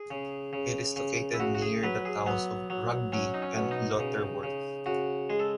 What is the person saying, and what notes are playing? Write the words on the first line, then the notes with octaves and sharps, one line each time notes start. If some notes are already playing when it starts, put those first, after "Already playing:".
It is located near the towns of Rugby and Lutterworth.
Already playing: G#4
C#3
C#3
C#3
E4
C#3 F#4
F#4
G#4
F#3 B4
G#4
F#3 B3
F#3
F#3 C#4
D#4
C#4
B2
D#4
C#3
C#3
C#3 F#4
G#3 G#4
A4